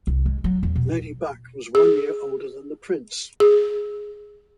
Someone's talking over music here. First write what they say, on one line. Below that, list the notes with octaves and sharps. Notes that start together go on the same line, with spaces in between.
Lady Bak was one year older than the Prince.
C2
G#3
F#3
E2
B2
G#4
G#4